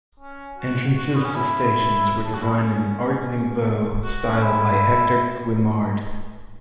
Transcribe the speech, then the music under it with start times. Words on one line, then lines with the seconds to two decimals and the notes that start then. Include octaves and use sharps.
Entrances to stations were designed in "art nouveau" style by Hector Guimard.
0.20 C#4
0.58 F#4
0.97 F#4
1.15 B3
1.25 C#4
1.35 E4
2.25 A4
2.34 F#4
2.42 E4
2.50 C#4
4.03 F#4
4.30 C#4
4.42 E4